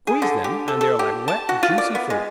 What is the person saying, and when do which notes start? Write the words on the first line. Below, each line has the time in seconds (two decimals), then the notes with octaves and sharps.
Squeeze them, and they are like wet, juicy fruit.
0.07 G#4
0.22 D3
0.44 G4
0.68 A4
0.81 A4
0.99 G4
1.28 A5
1.49 F#4
1.63 F4
1.78 D5
1.95 B3
2.10 G#3